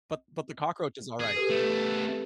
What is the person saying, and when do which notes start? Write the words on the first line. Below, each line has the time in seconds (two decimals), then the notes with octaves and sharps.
But but the cockroach is alright,
1.20 G#4
1.36 G4 A4 B4
1.50 A3 B3